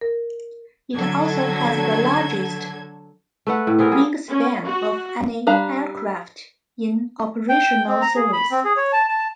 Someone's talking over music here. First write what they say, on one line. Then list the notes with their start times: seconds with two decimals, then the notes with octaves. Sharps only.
It also has the largest wingspan of any aircraft in operational service.
0.01 A#4
0.97 D3 F#3 A4 G#6
3.47 A3 B4 F#5
3.67 A2
3.79 B3 C4 G#4 A#4
3.92 G3 F4 G#4
4.29 C#4
4.63 F#4
5.47 G3 D4 F5 A#5
7.49 G5
7.88 C4
8.02 A#5
8.16 G#4
8.33 B5
8.51 C4
8.65 G#4
8.77 C#5
8.93 A5
9.09 A5